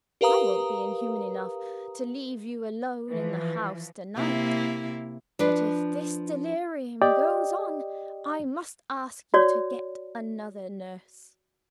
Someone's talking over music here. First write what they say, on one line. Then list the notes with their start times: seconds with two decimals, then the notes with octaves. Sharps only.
I won't be inhuman enough to leave you alone in the house to-night; but if this delirium goes on, I must ask you to get another nurse.
0.21 G4 A#4 B4 F5 A#5 D#6
3.09 E3 F3 B4
4.16 C3 A#3 E4
5.39 F3 D4 B4
7.02 G4 D5 D#5 G5
9.34 F#4 C#5 D5